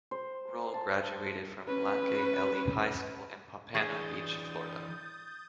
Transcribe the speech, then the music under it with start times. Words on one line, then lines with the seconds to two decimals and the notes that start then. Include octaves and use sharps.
Rolle graduated from Blanche Ely High School in Pompano Beach, Florida.
0.11 C5
0.74 A5
1.67 C#4 B4
3.75 E3 D4 G#4 C#6 D#6 G6 A6